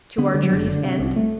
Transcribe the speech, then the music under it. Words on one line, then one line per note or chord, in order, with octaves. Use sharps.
"To our journey's end?"
D3 B3
D3 G3
F#3
F#1 D3
D3
C3
C2
A3